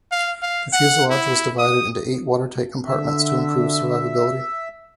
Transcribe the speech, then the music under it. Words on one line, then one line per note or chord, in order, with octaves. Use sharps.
The fuselage was divided into eight watertight compartments to improve survivability.
F5
F5
F#5
E4
D#6
D3 E5